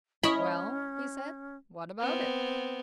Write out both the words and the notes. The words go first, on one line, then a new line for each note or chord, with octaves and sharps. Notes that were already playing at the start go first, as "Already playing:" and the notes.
"Well," he said, "what about it?"
C#4 E4 C#5 D#5 B5
B3 C4